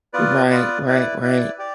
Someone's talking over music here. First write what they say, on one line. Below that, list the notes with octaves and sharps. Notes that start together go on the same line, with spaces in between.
Right, right, right.
B3 F4 B4 D5
B3 F4 B4 D5
E4 B4 D5
E4 B4 D5
G4 D5